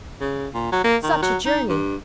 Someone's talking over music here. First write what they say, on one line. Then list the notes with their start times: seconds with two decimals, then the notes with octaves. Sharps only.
"Such a journey!"
0.21 C#3
0.54 A#2
0.72 F#3
0.84 A#3
1.03 D#3
1.22 F#3
1.45 D#4
1.69 G2